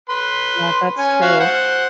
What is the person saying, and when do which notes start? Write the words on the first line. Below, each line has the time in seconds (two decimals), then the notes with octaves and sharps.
Yeah, that's true.
0.09 B4 C6
0.98 C#4 G#5
1.22 F#4 E5 F5
1.40 C5 F#5